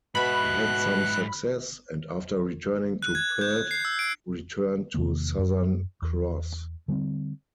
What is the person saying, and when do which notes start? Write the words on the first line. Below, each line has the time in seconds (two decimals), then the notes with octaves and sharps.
He had some success, and after returning to Perth, returned to Southern Cross.
0.15 G#2 B2 E5 B5 F#6
3.02 F#6
3.15 G#6
3.41 G6
3.71 C7
3.85 E6
3.99 D7
4.94 E2 C3 D#3 A#3
5.38 F#2
6.02 E2
6.88 D3 G3 A3 C4